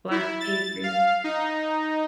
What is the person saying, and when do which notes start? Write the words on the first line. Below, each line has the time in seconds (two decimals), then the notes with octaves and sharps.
Black tea, green
0.11 E4
0.40 A6
0.84 F5
1.24 D#4